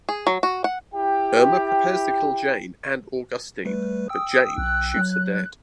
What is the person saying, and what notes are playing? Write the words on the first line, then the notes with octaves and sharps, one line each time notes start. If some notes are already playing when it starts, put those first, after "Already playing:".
Irma prepares to kill Jane and Augustine, but Jane shoots her dead.
G#4
F#3
F#4
F#5
E4 G4 G5
G3 A3 B4
G5 D#6 E6
B1 F#6
F#3